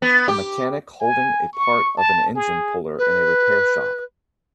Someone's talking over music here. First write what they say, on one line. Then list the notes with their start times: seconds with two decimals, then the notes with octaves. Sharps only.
A mechanic holding part of an engine puller in a repair shop.
0.02 B3
0.28 G4
1.01 G#5
1.53 C#6
1.98 A5
2.36 G#4
2.98 B4